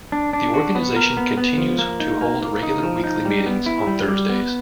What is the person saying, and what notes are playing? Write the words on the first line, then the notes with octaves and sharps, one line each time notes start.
The organization continues to hold regular weekly meetings on Thursdays.
D4
D4
F#4
B3
A#4
B3
B3
F3
A#3
D#4
A#3
A#3
D#4
F3
D#4
G3
B3
E4
G3
G3
B3